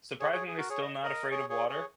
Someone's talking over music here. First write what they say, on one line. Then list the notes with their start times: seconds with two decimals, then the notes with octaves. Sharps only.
surprisingly still not afraid of water.
0.20 G#4 C#5
0.32 G#4 C#5
0.48 G#4
0.57 F#4 A#4
0.70 G#4 C#5
0.81 D#5
1.03 A#4 D#5
1.31 G#4 C#5
1.49 G#4 C#5
1.69 G#4 C#5